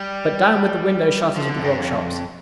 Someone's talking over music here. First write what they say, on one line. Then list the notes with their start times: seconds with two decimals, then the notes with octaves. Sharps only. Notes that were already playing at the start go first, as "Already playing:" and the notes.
But down with the window-shutters of the grog shops.
Already playing: G3
1.36 F3
1.50 D3
1.59 F2
1.64 G2
1.79 F2